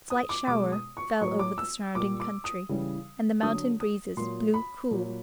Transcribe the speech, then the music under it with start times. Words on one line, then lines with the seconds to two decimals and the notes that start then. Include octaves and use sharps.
A slight shower fell over the surrounding country, and the mountain breezes blew cool.
0.10 D#6
0.29 D6
0.47 B2 G#3 D6
0.72 D#6
0.97 C#6
1.21 A2 F#3 C#6
1.39 D6
1.58 E6
1.95 A#2 G3 D6
2.20 D6
2.44 D#6
2.69 C#3 E3 G3
3.43 D3 F#3 D#6
3.80 D#6
4.17 A#2 F#3 C6
4.54 B5
4.91 A#2 F#3